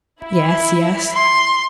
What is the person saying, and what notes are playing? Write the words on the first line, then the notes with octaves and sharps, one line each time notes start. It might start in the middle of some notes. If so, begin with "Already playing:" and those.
"Yes, yes."
E4
C6